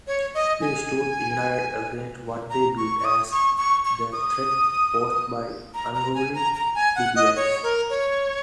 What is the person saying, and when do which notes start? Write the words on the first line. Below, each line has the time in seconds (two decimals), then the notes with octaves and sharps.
They stood united against what they viewed as the threat posed by unruly plebeians.
0.07 C#5
0.34 D#5
0.61 G#5
2.50 A#5
2.77 C#6
2.99 C#6
3.05 D#6
3.32 C#6
3.58 C#6
3.85 C#6
4.12 D#6
5.74 A#5
5.95 A#5
6.15 G#5
6.35 A#5
6.55 A#5
6.75 G#5
6.96 F#5
7.16 D#5
7.36 C#5
7.63 A#4
7.90 C#5